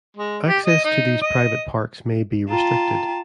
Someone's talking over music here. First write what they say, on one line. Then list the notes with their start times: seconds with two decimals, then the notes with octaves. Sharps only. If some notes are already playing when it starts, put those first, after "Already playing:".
Access to these private parks may be restricted.
0.17 G#3
0.47 G4
0.66 D#5
0.84 D#4
1.21 D#5
2.49 F4 G5 A5 A#5